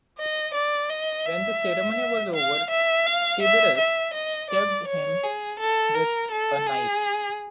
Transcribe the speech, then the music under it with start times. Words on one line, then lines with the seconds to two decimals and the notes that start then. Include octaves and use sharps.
When the ceremony was over Tiberius stabbed him with a knife.
0.19 D#5
0.54 D5
0.90 D#5
1.26 E5
2.35 F5
2.70 E5
3.06 F5
3.42 E5
3.78 E5
4.14 D#5
4.50 D5
4.87 C#5
5.23 G#4
5.59 A4
5.95 A#4
6.31 A4
6.66 G#4